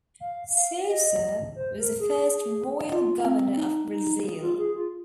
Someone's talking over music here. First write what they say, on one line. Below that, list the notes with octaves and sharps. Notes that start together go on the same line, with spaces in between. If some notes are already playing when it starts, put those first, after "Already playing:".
Sousa was the first Royal Governor of Brazil.
F5
F5
D#5
C5
A#4
G#4
F4
C4
C4
D#4
D#4
G#4
F4
G#4
F4